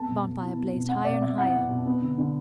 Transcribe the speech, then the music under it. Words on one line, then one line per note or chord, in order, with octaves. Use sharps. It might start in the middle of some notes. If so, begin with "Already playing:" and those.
The bonfire blazed higher and higher.
Already playing: A3 B3 A5
B2
B2
E4
B3
B2
B3 F#5
B2 D5
B2 E5
E4 F#5
B3
B2
B3
D3
D3